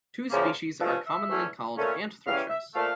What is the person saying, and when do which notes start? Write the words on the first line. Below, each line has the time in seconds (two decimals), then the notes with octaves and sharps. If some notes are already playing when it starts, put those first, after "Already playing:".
Two species are commonly called "ant-thrushes".
0.30 E2 C#3 F3 A#3
0.79 G2 F3 A3 C#4 A4
1.03 E5
1.27 E2 E3 A3 C#4
1.76 A#2 A3 C#4
2.25 E2 C#3 E3 G3 C#4 F5
2.49 E5
2.73 A#2 F3 A3 F5